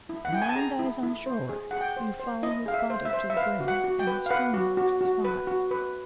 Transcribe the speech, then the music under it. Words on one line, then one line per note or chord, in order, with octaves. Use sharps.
A man dies on shore--you follow his body to the grave, and a stone marks the spot.
E4
F#5
E4 G5
G#5
A5
G#4 A#5
E4
E4
C5
G#4
G#4 F#5
G5
C5
C5
E4 D#5
G#4 F5
E5
C5
E5
C5
E5
B4 F5
F#4
F#5
F#4
G5
B4
F5
B4 F#5
F#4
F#4
F#4
B4
F#4
B4